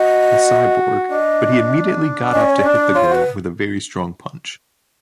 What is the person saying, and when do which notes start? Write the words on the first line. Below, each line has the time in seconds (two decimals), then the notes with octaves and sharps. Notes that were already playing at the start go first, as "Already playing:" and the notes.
The cyborg, but he immediately got up to hit the girl with a very strong punch.
Already playing: F#4 D#5
1.10 D4 D#5
2.33 C#4 D#5
2.41 D5
2.49 C#5
2.58 D5
2.64 D4
2.95 F4 C#5
3.05 C5
3.10 F#4 B4